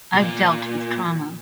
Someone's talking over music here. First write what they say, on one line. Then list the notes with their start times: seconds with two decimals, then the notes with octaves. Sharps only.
I’ve dealt with trauma.
0.14 A#2